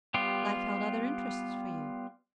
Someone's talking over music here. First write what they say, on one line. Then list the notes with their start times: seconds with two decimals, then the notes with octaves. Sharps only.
Life held other interests for you.
0.14 G3 B3 F4 G4